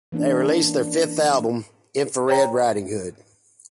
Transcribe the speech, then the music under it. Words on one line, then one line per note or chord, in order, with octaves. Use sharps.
They released their fifth album "Infrared Riding Hood".
E3 A#3 C#4 D4
C5 C#5 G5 A#5